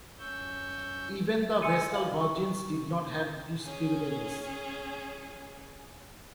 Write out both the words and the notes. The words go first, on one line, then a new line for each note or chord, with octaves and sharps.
Even the vestal virgins did not have this privilege.
F#2 C#4 C#6 E6 G6
G#5 C6 E6 C#7 D#7
E5 F5 F#7
C#6
C#4 G#4